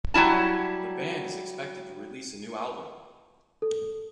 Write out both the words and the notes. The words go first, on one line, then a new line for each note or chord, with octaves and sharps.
The band is expected to release a new album.
F#3 G3 E4 A5
A4